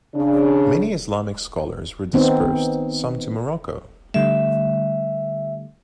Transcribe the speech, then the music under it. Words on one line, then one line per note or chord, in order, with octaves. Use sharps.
Many Islamic scholars were dispersed, some to Morocco.
C#3 D4
D#3 B3 C4 D#4
D3 G3 A3 E5